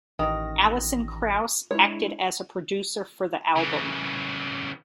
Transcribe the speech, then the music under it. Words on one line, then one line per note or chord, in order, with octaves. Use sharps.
Alison Krauss acted as a producer for the album.
A1 D#3 A#6
G#3 D4 E4 C#5
C#3 E3